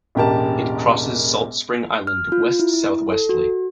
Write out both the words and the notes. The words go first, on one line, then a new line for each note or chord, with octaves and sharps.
It crosses Salt Spring Island westsouthwestly.
E1 A1 G4 A#4 A5
F6
F4
E4
E4
A4
F#4